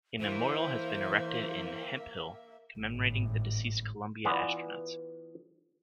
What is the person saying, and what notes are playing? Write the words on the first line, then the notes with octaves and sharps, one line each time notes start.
A memorial has been erected in Hemphill commemorating the deceased "Columbia" astronauts.
E3 A#3 C5 E5
G#1 A2
E3 B3 F4 D5 G#5